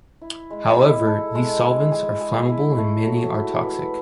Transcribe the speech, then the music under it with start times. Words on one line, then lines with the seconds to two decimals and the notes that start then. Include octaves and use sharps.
However, these solvents are flammable and many are toxic.
0.22 E4
0.50 G#3
0.79 E4
1.07 A4
1.35 G#3
1.64 G#4
1.92 G#4
2.21 G#4
2.49 E4
2.78 A3
3.06 F#3
3.35 E4
3.63 E3